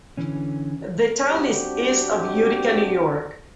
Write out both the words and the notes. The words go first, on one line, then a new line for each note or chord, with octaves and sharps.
The town is east of Utica, New York.
D3 E3 C#4
G3 C4 D4 F#4 G4